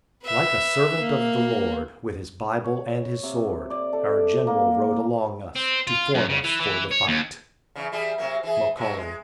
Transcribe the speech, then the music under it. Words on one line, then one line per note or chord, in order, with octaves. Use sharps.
Like a servant of the Lord, with his bible and his sword, Our general rode along us, to form us for the fight. --Macaulay.
B4 E5
A#3
C#5
C3
D5
A4
A#3
C4
F4
F#2
C#3
E3
E3
C#5
D#2
E2 C#3
E3 G3 G#4
C3 F#3 A#3
E3 G#4
B2 F#3 G3
G#3